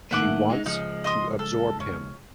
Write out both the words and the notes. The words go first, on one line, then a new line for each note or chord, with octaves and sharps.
She wants to absorb him.
A2 D#3 A#3 E5 F#5 D6
G#3 D#4
C#2 F3 G#3 D#4
D#5 C6 D#6
A4
C#4